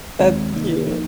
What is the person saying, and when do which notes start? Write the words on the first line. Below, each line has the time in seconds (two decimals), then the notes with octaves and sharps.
That's cute.
0.19 D#2 D#3 G#3 C4
0.52 C3 D#3 A#3 D#4
0.87 F3 A#3 D#4